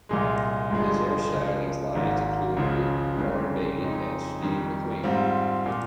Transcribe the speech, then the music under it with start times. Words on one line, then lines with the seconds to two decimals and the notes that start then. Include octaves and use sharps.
His hair styling clients included Warren Beatty and Steve McQueen.
0.09 C2 A#2 G#3
0.70 G1 G2 F3 G#3
1.33 C#2 C#3 F3
1.95 G#1 G#2 D#3 A#3
2.57 C#2 C#3 F3
3.18 G1 F2 C#3
3.80 F2 C#3 G#3 D#4
4.42 F2 D#3 G3
5.03 G#2 G3 C4 F4
5.65 A#2 F3